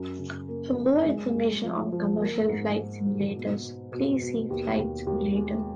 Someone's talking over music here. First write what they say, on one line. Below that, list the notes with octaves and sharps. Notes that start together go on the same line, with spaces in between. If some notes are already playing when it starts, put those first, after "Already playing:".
For more information on commercial flight simulators please see Flight Simulator.
Already playing: F#2
C#3
A#3
A#3
G#3
G#3
F3
F3
A#3
G#2
G#2
G#2
B2
B2
B2
B2
D#2
D#2
D#2
G#3